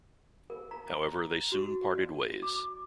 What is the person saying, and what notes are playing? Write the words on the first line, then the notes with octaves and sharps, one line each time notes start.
However, they soon parted ways.
A#4
A#5
F#4
D5
D6